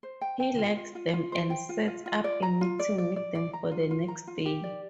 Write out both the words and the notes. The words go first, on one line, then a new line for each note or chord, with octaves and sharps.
He likes them and sets up a meeting with them for the next day.
C5
G5
G5
F4
F4
F4
F4
C5
G5
F4
F4
F4
D5
A#5
F4
D5
D5
D5
D5
A#5
F4
F4
A#5
F4
G4
D5